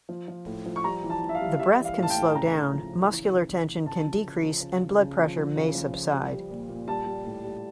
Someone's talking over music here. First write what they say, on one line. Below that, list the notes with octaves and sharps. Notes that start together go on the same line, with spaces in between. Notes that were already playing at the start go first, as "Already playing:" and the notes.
The breath can slow down, muscular tension can decrease and blood pressure may subside.
F3
F3
A2
F3
C#6
G3 A#5
E3
A5
E3
E5
F5
G3
G3 E5
E3
F5
A2
A5
G5
A2
C#3 A#5
C#3
F3
C#3
E3
C#3
E3
E3
C#3 A5
F3
C#3
F3
C#3
C#3
C#3
F3
F3
C#3
F3
F3
G3
G3
A#2
A#2
G3 A5
G3
A2
G3